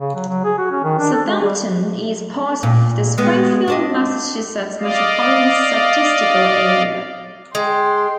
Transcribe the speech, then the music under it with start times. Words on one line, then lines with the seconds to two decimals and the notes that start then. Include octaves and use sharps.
Southampton is part of the Springfield, Massachusetts Metropolitan Statistical Area.
0.01 C#3
0.15 F#3
0.28 F#3
0.44 G#4
0.58 F#4
0.71 C#4
0.84 D#3
0.99 D4
1.13 A4
1.27 G#3
1.42 G3
2.63 A#2
3.18 G#3 B3
3.68 D4 C5 D#5
4.80 D5 D#5 F5
7.55 G#3 G5 C6